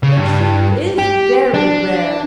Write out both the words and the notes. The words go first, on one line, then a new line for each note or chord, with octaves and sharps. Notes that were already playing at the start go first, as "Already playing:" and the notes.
The truth is very rare.
C#3
G2
G4
D4